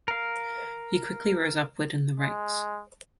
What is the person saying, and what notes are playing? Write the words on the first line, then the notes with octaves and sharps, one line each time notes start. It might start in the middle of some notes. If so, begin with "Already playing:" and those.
He quickly rose upwards in the ranks.
A#4 F5
G#3